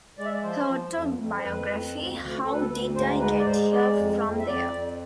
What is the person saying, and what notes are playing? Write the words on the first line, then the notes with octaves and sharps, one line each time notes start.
Her autobiography How Did I Get Here from There?
G#3 D5
E5
D5
F3 C5
F3
F2
F2
C5
F2 B4
F2
D2
D2
D2 A4
B4
A4
D2 B4
G#2 C5
G#3 B4
D5
G#2 C5
G#3 D5
F2
F2
E5
F2 D5
F2